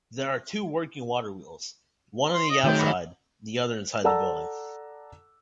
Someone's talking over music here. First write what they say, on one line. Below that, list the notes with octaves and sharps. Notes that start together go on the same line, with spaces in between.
There are two working waterwheels, one on the outside, the other inside the building.
C6
D#5
F#2 D#3 A3 G#4 G5
F#4 B5 D6 E6
A4 D5 F#5 A5 A#5 E6